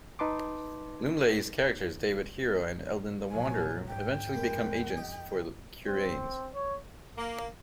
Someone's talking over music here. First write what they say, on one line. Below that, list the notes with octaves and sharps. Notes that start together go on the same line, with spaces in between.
Lumley's characters David Hero and Eldin the Wanderer eventually become agents for Kuranes.
D#4 B4 A5 C6 D6
A#1 F#3 G#5
G#2 G5
F2 G#3 A#3 B4
G4 D#5
C4
C#5
A#3